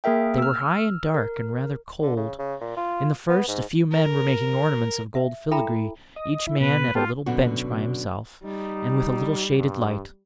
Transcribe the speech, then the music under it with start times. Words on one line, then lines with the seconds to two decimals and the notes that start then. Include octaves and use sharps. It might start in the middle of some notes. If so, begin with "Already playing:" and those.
They were high and dark, and rather cold. In the first a few men were making ornaments of gold filigree, each man at a little bench by himself, and with a little shaded light.
0.04 A#3 G#4 A#4 E5 G5
0.38 E6 F6
1.14 A#4
2.02 D3
2.17 C#3
2.39 C#3
2.61 A#2
2.77 F4
3.29 B3
3.48 G#2
3.91 A#4
5.15 E5
5.51 E4 A4 E5 G5 A#5 B5
6.16 D#5
6.47 E4
6.61 B2 B4
6.95 B3 F4 G4 A4
7.26 F#2 B2 D3 F#4
8.44 G3 D#4
9.58 G2